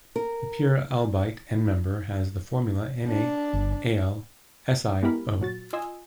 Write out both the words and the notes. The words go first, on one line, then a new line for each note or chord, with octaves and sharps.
The pure albite endmember has the formula NaAlSiO.
A#4
D4
G1
G#3 B3 E4 G4 A#4 B5
A#2 F#3 F#4 A6
F4 D#5 G#5 C6 D#6 E6